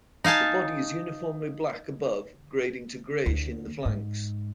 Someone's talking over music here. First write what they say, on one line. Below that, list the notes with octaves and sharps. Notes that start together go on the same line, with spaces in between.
The body is uniformly black above, grading to grayish in the flanks.
D#4 F5 G#5 A5
D2
G#2